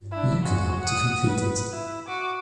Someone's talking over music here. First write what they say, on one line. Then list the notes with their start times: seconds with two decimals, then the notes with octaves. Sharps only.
You can help to complete it.
0.11 D4 E4
0.43 G#3 F#4
0.82 F#5 D#6
1.27 B4
1.72 E4
2.07 F#4 D6